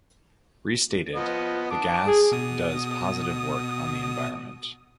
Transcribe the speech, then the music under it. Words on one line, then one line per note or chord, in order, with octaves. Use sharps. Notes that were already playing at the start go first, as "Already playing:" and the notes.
Restated, the gas does positive work on the environment.
F3 B3 D#5
A5 D6
G#4
B2 D#6